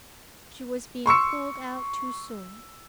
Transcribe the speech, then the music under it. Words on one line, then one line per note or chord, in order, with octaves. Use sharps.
She was being pulled out too soon.
C6 C#6 E6 C#7